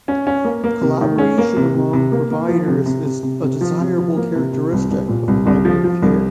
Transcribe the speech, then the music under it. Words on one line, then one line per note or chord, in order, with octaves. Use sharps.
Collaboration among providers is a desirable characteristic of primary care.
C#4
C#4
A#3
A#3
C3
D#3
C#4
A#3
C3
C3
C3
A#3
A#3
F3
C3
C3
C3
C3
C3
F3
C3
F3
A#3
C3
C3
C2
C2
A#2
C2
C2
F3
F3
C2